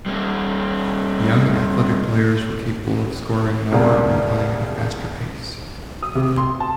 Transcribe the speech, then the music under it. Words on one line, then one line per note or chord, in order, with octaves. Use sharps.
Young athletic players were capable of scoring more and playing at a faster pace.
G3 A#3
E1 C2 C#3 B3 D4 A#5
D#6
C3
C6
A5